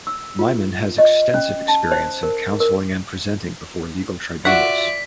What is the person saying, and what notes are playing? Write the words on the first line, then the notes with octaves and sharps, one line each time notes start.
Maimon has extensive experience in counseling and presenting before legal tribunals.
E6
F4
D#5
C#4
A5
C5
A#4
A#4
F4 F#4 D5 E5 F#5 B6